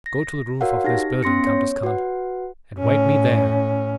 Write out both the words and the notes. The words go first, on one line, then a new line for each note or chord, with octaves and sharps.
"Go to the roof of this building, Kantos Kan, and wait me there."
A#6
F#4 A#4 C#5 F5 F#5
D#4 G4 A#6
B3 C#4 C6 A#6 C#7
C#5
F#4 B4 F#5
A2 C#4